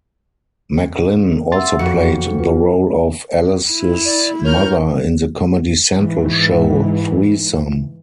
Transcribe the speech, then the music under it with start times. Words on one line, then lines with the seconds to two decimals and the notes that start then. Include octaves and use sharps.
McLynn also played the role of Alice's mother in the Comedy Central show "Threesome".
1.52 E5 F#5 C6 E6 A6
1.79 F2 F#4 A4 C#7
2.25 A4
2.39 F4 B4
3.71 E4
4.05 D5
4.44 A#4 C#5 F6 G6
5.97 G#2 E3